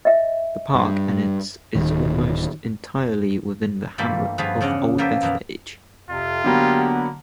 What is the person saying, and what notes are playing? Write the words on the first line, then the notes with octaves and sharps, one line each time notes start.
The park and its is almost entirely within the hamlet of Old Bethpage.
D#5 E5
G2
D1 D#3
G2 E3 G3 A3 A#3 F4
G2 F3 B3 G#4 B4 F5
E2 C#3 C#4 D4 D#5 F#5
F3 A#3 B3 A#4 E5 G5
F#2 B2 E3 F#3
F2 C3 F4
D3 F#3 A#3 B3 G4